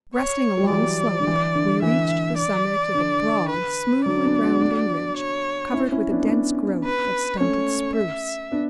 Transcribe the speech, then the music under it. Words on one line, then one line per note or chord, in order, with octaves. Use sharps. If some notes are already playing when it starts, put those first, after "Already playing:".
Breasting a long slope, we reached the summit of a broad, smoothly rounding ridge covered with a dense growth of stunted spruce.
C#5
G3
F#3
E3 D5
D3
E3
D3
E3 E5
D5
D3
B4
D3 F#3 D5
B3 D4
D4 F#4
D4 F#4
C#5
C#4 E4
C#4 E4
B3 D4
C#4
B3 D4
B4
A3 C#4 C#5
E5
B3 D4